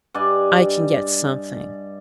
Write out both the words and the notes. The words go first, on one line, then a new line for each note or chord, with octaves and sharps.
"I can get something."
G2 D5 D#5 G#5